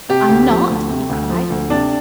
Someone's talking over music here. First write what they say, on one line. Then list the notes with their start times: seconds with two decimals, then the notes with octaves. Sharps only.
"I'm not?" he cried.
0.09 C3 G4
0.29 D2
0.49 F3
0.70 D2
0.89 C3
1.10 D2
1.30 F3
1.50 D2
1.70 C3 D4